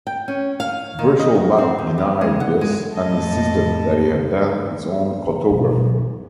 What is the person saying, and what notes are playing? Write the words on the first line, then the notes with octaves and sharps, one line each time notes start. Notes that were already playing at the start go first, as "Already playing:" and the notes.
Virtual Map denied this and insisted that it had done its own cartography.
G5
C#4
F5
D#3
D#5
F#4
C4
D#2
B3
G#3
F#5
G#3
F2 A2 D#5 A5
C3
B2 F4
B2 F#3
B3